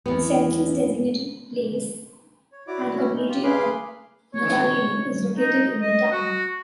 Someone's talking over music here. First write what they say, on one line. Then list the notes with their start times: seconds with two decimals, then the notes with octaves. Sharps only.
The census-designated place and community of Navarino is located in the town.
0.06 E2 B3
2.52 C#5
2.67 E4 F#4 C#5 D5 D6
2.96 C#4 E4 F#4
3.14 D#4
3.29 F4 G4
3.43 G#4 B4 F5 B5 C6 D6
4.34 C#5
5.38 D#4
5.81 D#5
6.11 F#4